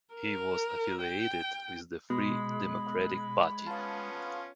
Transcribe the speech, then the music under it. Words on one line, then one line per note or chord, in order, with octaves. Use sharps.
He was affiliated with the Free Democratic Party.
A#4
G5
B2 G#3 B5
B3 C#4 F4 F5 A5